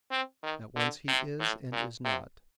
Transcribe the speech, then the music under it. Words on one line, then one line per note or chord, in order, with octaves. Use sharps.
At once he is and is not.
C4
D#3
D3
C3
A2
A#2
C3